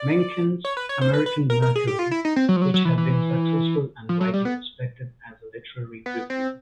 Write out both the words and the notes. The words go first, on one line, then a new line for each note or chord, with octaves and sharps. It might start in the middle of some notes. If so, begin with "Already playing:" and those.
Mencken's "American Mercury", which had been successful and widely respected as a literary review.
Already playing: D5
C#5
B4
C#5
C5
B4
B4
A#4
A#4
G#4
G4
F4
E4
D#4
C4
F#3
F3
F#3
F#3
E3
E3
F3
F#3
G3
B3
B3
C4